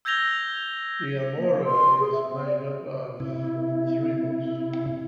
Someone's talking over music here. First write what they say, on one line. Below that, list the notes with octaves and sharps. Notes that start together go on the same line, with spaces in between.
"De Amore" is made up of three books.
E6 G6 G#6 A#6 F7 G7
A#3
F5
C6
G#4
E5
C4
D5
C3 E4